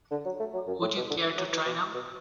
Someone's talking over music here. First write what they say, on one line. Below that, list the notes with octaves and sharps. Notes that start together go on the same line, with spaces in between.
Would you care to try now?
D3
F#3
A3
F#3
F#2
A2
B2
D3
E3
F#3
E3
B2
B2